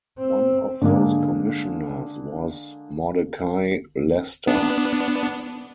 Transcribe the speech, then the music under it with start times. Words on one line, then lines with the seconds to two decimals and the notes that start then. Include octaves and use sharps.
One of those commissioners was Mordecai Lester.
0.18 C4
0.82 D3 G#3 A#3
4.47 B3 D4